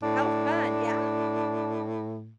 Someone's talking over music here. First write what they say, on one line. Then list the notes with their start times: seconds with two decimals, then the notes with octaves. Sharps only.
How fun, yeah.
0.03 A2 D4